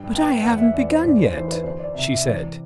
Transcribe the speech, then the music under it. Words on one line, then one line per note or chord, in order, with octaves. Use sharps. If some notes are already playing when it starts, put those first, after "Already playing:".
"But I haven't begun yet," she said.
Already playing: G2 G5
B3 G5
E2 F#5
E5
E2 D5
C5
A2 D5
C5
E3 C5
B4
D2 C5
D5
C3 E5
E5
E3 D5